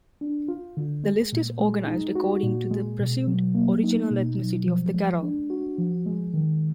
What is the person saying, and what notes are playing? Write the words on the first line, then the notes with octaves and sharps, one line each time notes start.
The list is organized according to the presumed original ethnicity of the carol.
D4
F4
D3
G#3
A#2
G#3
D#4
F#4
A#2
G#3
B2
F#3
A#3
D#4
B2
F#3
F3
G#3
D4
F#4
F3
G#3
D#3